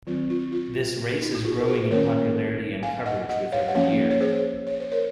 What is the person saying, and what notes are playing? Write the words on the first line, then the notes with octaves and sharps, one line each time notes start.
This race is growing in popularity and coverage with every year.
D#3 F#3 C4 F4
F4
F4
F4
D#4 F#4
F#4
F4 G#4
A#4
G#4 C5
D#3 A#3 C#4 A#4 C#5
F5 G#5
D#5 F#5
D#5 F#5
C#5 F5
F#5
F3 A#3 C#4 C#5 F5
C#5
G#4 C5
C#5
C5
A#4 C#5